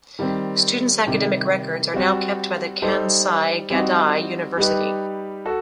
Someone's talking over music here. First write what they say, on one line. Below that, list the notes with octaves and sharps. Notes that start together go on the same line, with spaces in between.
Students' academic records are now kept by the Kansai Gaidai University.
D#3 G3 C4
C3 D#3 G3
G3 C4 F#4
G3 D#4 A4 C5
G3 C4 D#4 F#4
G3 D#4 G4 B4
F#4 A4